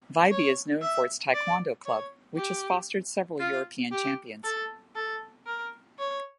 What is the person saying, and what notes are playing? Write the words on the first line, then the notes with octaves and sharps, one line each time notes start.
Viby is known for its taekwondo-club, which has fostered several European Champions.
C#5
E5
D5
C#5
G4
F4
G4
A4
A4
A#4
C#5